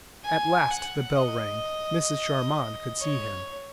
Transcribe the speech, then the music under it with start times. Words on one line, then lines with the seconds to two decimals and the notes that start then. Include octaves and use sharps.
At last the bell rang: Mrs. Charmond could see him.
0.25 G#5
0.70 F#5
1.16 D#5
3.01 C#5